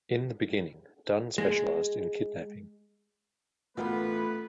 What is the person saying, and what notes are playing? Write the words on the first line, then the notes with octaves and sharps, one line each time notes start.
In the beginning, Dunne specialized in kidnapping.
G#3
A1 A3 B3 F4 A#4 B4